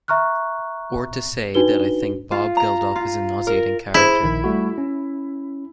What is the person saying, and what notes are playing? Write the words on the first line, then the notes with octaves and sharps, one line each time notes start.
Or to say that I think Bob Geldof is a nauseating character.
E5 A#5 C#6 F6 F#6
D4 D#4 F#4 B4 G7
F4
A#5
F4
A#4
E4 G#4 C5
A#1 D#3
G3 A3 F#4
C#4